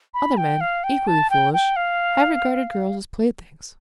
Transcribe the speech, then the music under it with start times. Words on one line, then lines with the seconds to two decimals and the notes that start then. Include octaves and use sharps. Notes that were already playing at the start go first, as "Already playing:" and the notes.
Other men, equally foolish, have regarded girls as playthings.
0.14 B5
0.37 G5
0.61 F5
0.84 G5
1.07 A5
1.30 G5
1.53 G5
1.76 F5